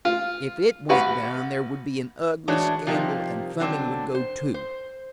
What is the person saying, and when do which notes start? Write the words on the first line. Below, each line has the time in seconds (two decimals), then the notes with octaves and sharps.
If it went down there would be an ugly scandal, and Fleming would go too.
0.05 F4
0.89 G#1 F#4 B4
2.48 A2 E3 G#3 D4 F#4 C#5
2.87 C3 F3 G3 A#3 D#4 G4
3.60 D3 F#3 C4 D4
4.15 C5
4.54 C5